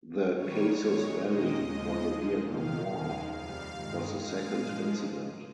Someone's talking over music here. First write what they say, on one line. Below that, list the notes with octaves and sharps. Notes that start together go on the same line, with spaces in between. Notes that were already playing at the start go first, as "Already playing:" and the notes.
The "casus belli" for the Vietnam War was the second incident.
G#2 D#3 G3 C#5
A#2 G#3 C#5
D#2 D#3 G#3 D#5
D#2 C#3 F3 G#3
A#2 F3 G#3
F2 C3 D#3 F5
D#2 D#3 G#3 F5
F2 C3 G3 F5
G2 D#3 G#3
A#2 G#3 F5
G#2 F3 G#3